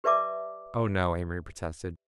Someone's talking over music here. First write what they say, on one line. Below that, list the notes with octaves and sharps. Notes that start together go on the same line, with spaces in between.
"Oh, no," Amory protested.
G4 B4 D5 E5 A5 D6